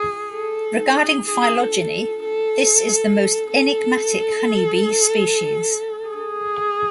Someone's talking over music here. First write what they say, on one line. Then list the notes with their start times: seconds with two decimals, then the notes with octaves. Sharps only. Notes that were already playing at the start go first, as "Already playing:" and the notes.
Regarding phylogeny, this is the most enigmatic honey bee species.
Already playing: G#4
0.32 A4
0.96 G#4
1.28 G#4
1.60 A4
2.25 A4
3.52 A4
6.08 G#4